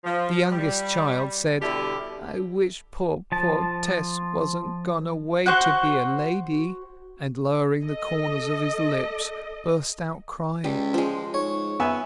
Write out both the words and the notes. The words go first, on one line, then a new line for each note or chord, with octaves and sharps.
The youngest child said, "I wish poor, poor Tess wasn't gone away to be a lady!" and, lowering the corners of his lips, burst out crying.
F3
G3
B2 D3 G3 E4 G4
F3 A5
F#4 C5 F#5 F#6
A4 D#5
C#2 G3
F3 G#3
G#2 C#5
B3 E5 G#5